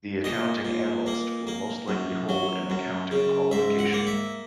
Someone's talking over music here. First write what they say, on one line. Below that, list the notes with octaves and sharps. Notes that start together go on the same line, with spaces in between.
The accounting analyst will most likely hold an accounting qualification.
A#2 D#5
A#2
A#3
A#3
F#2
F#3
F#2
C#3
G#2 E5
F#5
A#3
E5